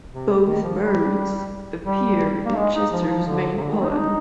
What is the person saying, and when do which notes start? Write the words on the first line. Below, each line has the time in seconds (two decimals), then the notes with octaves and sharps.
Both birds appear in Chester's main poem.
0.10 C3
0.45 D#3
0.62 F3
0.80 G3
1.86 G3
2.45 A#3
2.57 G#3
2.75 D#4
2.92 F3
3.10 F3
3.27 D3
3.58 C3
3.62 D3
3.71 D#3
3.81 C4
3.85 D#4
3.89 D4
3.98 D#4